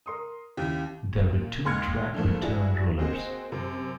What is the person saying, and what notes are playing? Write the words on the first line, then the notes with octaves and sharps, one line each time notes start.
There were two track-return rollers.
A#4 C6 D#6
D#2 C#4 E4 G4
A#2
D#2 G#3 C6 F6 G#6 C#7
D3 E3 F3 A3 A#3
D4 E4 F#4 G#4
A#3 C4 F#4 G#4 C5 D#5
F#2 C3